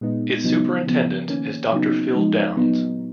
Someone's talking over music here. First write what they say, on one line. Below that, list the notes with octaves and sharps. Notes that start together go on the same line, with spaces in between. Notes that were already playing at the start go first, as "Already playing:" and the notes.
Its superintendent is Dr.Phil Downs.
A#2 G#3 B3 D#4
C#3 F#3 B3 D#4
C#3 F3 B3
D#3 A#3 C#4
C#3 F#3 B3 D#4
F3 G#3 D#4
A#2 F#3 B3 D#4